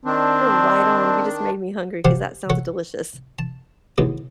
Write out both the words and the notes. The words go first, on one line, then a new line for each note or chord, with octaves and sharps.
You're right on, you just made me hungry, 'cause that sounds delicious.
D#3 C4 D4
G4 C5 F5 F#5 G#5 A5
A4 C#5 F#5
A5
D#2 B2 E3 G#3